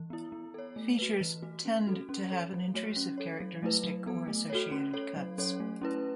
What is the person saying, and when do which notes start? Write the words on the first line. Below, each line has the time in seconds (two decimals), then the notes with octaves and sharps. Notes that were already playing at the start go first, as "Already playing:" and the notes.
Features "tend" to have an intrusive characteristic or associated cuts.
Already playing: E3
0.10 B3 E4
0.32 B3
0.54 A4 C#5
0.76 A3
0.99 F#4 B4
1.21 E3
1.42 A3 F#4
1.65 C#4
1.87 F#4 A4
2.09 C#4
2.30 A4 C#5
2.53 F#3
2.74 A3 F#4 C#5
2.96 C#4
3.18 A4 C#5
3.40 F#3
3.63 A3 E4 B4
3.84 F#3
4.06 B3 A4
4.27 A3
4.50 F#4 A4 C#5
4.71 C#4
4.94 A4 C#5
5.16 F#3
5.38 C#4 A4 C#5
5.60 A3
5.82 C#4 E4 B4